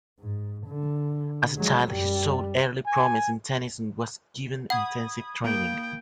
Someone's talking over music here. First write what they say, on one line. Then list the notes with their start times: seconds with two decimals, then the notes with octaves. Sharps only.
As a child, he showed early promise in tennis and was given intensive training.
0.20 G#2
0.67 D3
1.57 F#3 G#3
1.90 F#2 G3
2.87 G#5
4.70 F#5 B5 D#6 G#6
5.44 A#3 G5